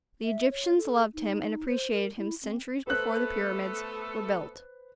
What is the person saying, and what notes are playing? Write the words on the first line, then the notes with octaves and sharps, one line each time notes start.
The Egyptians loved him and appreciated him centuries before the pyramids were built.
E5
C#5
A4
D#4
C5
A#4
E4
C4
A3 B3 A4 B4 C5 F#6